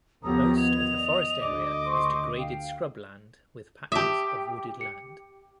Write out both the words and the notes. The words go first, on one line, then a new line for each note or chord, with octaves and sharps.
Most of the forest area is degraded scrub land with patches of wooded land.
D#2 F3 B3 C#4 G4 A4 A#5 D#6
D#5 G#6 F7
D5
D2 D6
C5 C6 C#6
F5 G5
G4 E5 A5 D6 D#6
C#7